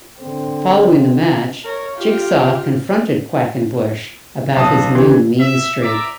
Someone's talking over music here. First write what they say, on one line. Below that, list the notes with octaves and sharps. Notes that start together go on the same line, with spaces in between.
Following the match, Jigsaw confronted Quackenbush about his new mean streak.
D3 C4
A#4 C#5
F4 G4
B1 A5 D#6
E3 D4 G4
E5
D5 E5 A#5 D6